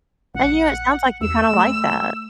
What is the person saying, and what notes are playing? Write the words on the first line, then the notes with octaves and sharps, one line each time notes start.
And, you know, it sounds like you kinda like that.
A#1 F#5
E2 E6
A3